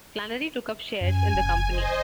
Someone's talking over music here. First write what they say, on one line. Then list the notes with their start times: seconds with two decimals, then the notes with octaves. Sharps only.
Flannery took up shares in the company.
1.01 F#2 G#5
1.34 F#1
1.69 C5 D#5